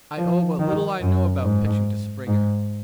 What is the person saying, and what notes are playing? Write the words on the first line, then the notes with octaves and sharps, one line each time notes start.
I owe what little I know about pitching to Springer.
F3
D#3
F#2
G#2
G#2